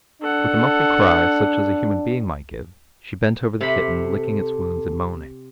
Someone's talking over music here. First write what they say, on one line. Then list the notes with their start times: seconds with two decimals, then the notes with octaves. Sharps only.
With a muffled cry, such as a human being might give, she bent over the kitten licking its wounds and moaning.
0.22 D4 A4 F#5
3.61 C3 A4 B5